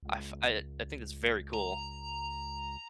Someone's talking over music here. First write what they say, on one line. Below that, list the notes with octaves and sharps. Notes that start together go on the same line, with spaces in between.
I f I, uh I think it's very cool.
C#2
A#5